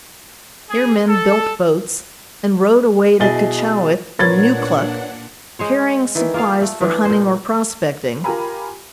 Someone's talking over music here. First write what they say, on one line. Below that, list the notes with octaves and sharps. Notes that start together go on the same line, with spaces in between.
Here men built boats, and rowed away to Keechawik and Neukluk, carrying supplies for hunting or prospecting.
G#4
A4
B2 E4 G#4 D#5 A6 G7
A#2 D4 A#4 B4 C#5 F#5 G#6 A6
G#3 C5 C#5
D#3 E3 E4
A#3 F4 G#4 F5
A3
E3 A3 D4
A#2 C5
F4 G4 A#4 G#5 A#5 B5